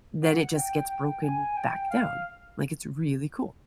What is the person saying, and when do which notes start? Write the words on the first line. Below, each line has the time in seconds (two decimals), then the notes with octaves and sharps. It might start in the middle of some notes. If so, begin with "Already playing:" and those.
then it just gets broken back down, like, it's really cool.
0.23 F#5
0.56 G5
0.89 G5
1.23 G#5
1.56 G5
1.90 F5